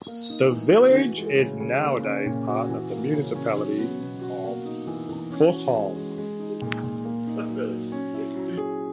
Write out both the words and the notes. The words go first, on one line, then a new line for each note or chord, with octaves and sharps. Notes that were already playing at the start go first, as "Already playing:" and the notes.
The village is nowadays part of the municipality of Korsholm.
A#3
D#4
E3
F#4
E3
G#3
C#3
C#3
A#3
C#4
A#2
F#4
E3
A#3
C#3
C#4
F#3
B3
B2
F#4
A#3
D#4
E3
E3
C#4
F#4
G#3
G#3
G#3
D#4
A#2
A#2
A#3
D#4
F#3
F#3
C#4
E4
F#3
G#4